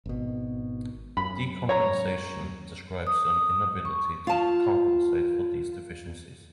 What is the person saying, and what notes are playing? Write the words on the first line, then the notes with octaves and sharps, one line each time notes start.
Decompensation describes an inability to compensate for these deficiencies.
G#1 B2
F#2 B5
C#5 A#5
D#6
C#6
F4 A5